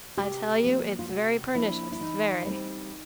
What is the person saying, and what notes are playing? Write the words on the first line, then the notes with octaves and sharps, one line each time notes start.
I tell you it's very pernicious--very!
C3 G4
F3 A#3 D4
F4
C3 F#4
F3 A#3 D4 E4
E4
E3 D#4
G3 C4